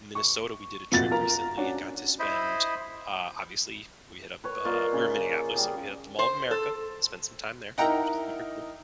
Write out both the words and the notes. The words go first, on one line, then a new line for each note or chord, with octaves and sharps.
Minnesota we did a trip recently and got to spend uh, obviously, we hit up uh, we're in Minneapolis, so, we hit up the Mall Of America, spent some time there, which is super cool.
C#6
F2 A#2 F#4 A6
F4 A#4 A#5
C#4 D4 F#4
E4 C5 D#5 E5 B5
B4 C#5
A#3 F4 D5 D#5
C#3
G3 G#4
C5
A4
D#4 E4 A#4 F#5 G5 A#5